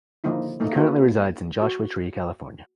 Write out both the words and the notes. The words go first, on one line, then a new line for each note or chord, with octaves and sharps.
He currently resides in Joshua Tree, California.
D3 D#3 F3 A#3 D#4 E4
A3 A#3 D#4
A#3 E4 F#4 A4 B4
F#4